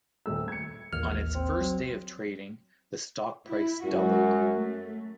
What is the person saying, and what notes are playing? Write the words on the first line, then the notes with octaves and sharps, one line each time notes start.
On its first day of trading, the stock price doubled.
D#1 A3 E6
G#6 C#7
A1 D#2 F6
C4
F#3
E4
F#2 F#3 G#3 F#4
A3